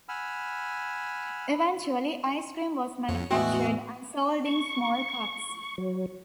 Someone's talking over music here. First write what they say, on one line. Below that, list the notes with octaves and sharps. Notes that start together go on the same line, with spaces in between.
Eventually, ice cream was manufactured and sold in small cups.
F#5 G#5 B5 E6 F6
F2 C#5
E2 A2 G#3 B3 E4 F#4 G5
C#6
F#3